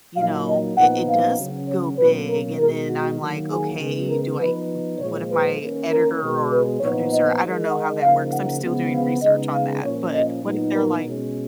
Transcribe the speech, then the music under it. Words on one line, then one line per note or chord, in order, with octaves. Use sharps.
you know, i it does go big?" And then I'm like, "Okay, do I u do what if my editor, or producer" I don't know how that works, I'm still doing research on that, but what if they're, like
A#2 F#3 A#3 D#4 F5
D#5
A#2 F3 B3 D#4 F#5
F5
C#3 F#3 C#4
C#5
B2 F#3 A#3 C#4 B4
A#4
B2 G#3 D#4 A#4
F#4
D#3 F#3 A#3
G#4
C#3 G#3 B3
A#4
F3 B3 D#4 B4
A#2 F3 G#3 C#5
B4
D#3 A#3 C#4
A#4
B2 G#3 B3
B4
A#2 F3 B3 D#4 C#5
D#5
D#3 G#3 D#4
F#5
C#3 F3 A#3 D#4 F5
F#5
C#3 F3 G#3 B3
F5
C#3 G#3 B3 D#4 D#5
F5
A#2 F3 A#3 C#4 C#5
D#5
A#2 F#3 B3 D#4
A#4
B2 G#3 C#4